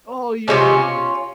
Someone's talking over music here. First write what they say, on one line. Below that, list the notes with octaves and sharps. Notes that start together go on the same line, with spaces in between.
All year round.
C3 F3 G#3 C#4 F4